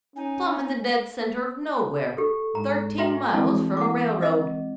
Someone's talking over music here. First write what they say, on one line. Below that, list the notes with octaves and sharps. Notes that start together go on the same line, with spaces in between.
Plumb in the dead center of nowhere. Thirteen miles from a railroad.
C#4 D#4 G#5
G4 A4
G#2 A#5
F#4 D#5 E5 G5 A#5 F6
E3 G#3 C4 E4 D5 A5
F#5 D6
D#5